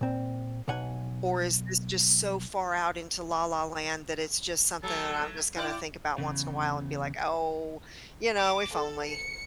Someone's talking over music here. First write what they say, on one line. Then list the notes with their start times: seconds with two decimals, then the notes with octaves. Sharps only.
or is this just so far out into la, la, land that it's just something that I'm just gonna think about once in a while, and be, like, "Oh, you know, if only"
0.01 A#2 C4
0.68 B1 B2 F#5 G#5
4.83 F#3 A3 A4
5.57 E4 D5 G5
6.18 E2 C#3
8.36 D6
8.75 A4
9.08 C#7